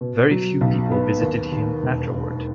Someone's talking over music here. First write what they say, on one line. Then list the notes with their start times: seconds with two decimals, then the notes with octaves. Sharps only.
Very few people visited him afterward.
0.01 B2
0.31 F#3
0.61 B1
0.92 B3
1.21 D#2
1.52 D#3
1.83 E1